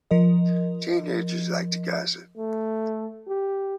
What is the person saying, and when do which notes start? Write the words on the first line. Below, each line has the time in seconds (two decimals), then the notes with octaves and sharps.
Teenagers like to gossip.
0.11 F3 A#4 D#5
2.37 A3
3.28 G4